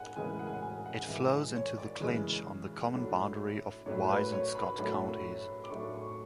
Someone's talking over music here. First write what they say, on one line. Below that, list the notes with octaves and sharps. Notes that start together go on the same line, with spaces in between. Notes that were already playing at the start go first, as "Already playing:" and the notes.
It flows into the Clinch on the common boundary of Wise and Scott Counties.
Already playing: C#3 F#5 G#5
C#3 E3 G#3 G#5
F#5
G#5
F#5
G#5
F#5
F#5
C#3 E3 G#3 E5
C#5
D5
C#3 E3 G#3
A2 F#3 A3 D4
A2 F#3 A3 D4 C#5
B4
C#5
B5
A2 F#3 A3 D4 B5
D6
A2 F#3 A3 D4 C#6
C#6